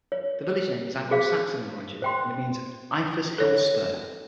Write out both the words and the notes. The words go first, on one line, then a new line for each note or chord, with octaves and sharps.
The village name is Anglo-Saxon in origin, and means 'Ifa's hill-spur'.
C#5
G#4 C5 F5
C5 G5 C6
A4 C#5